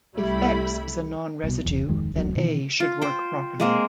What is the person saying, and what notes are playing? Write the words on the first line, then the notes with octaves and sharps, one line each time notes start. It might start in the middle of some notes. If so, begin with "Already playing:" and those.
If "x" is a non-residue, then "A" should work properly.
C2 G3 A3 E4 B5
C2 B2
E1 B1 E2
D1 F2 D#3 G#3
D1 A1 E2 F#3
B2 D#3 E3
F4
C5 G5
G#3 A#3 C4